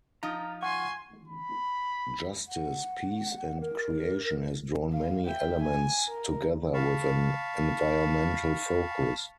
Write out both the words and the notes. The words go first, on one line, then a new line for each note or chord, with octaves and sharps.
Justice, Peace and Creation has drawn many elements together with an environmental focus.
F3 D#4 F4 A#5
F#5 G#5 C6 C#6
B5
F#5
A#4
F5
E5 G5
G#5
A#4
F5 A5 B5 C#6